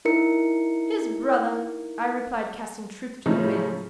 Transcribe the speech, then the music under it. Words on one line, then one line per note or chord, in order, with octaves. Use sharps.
'His brother,' I replied, casting truth to the winds.
D#4 E4 A#4 C#7
A2 C#3 F3 G#3 A3 D#4